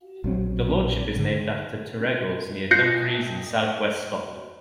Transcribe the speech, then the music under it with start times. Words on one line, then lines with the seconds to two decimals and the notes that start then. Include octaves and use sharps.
The Lordship is named after Terregles, near Dumfries in south west Scotland.
0.24 A#1 F#3 C4
1.16 G#2 D3
2.71 F4 F#6 G6 A#6 C7 C#7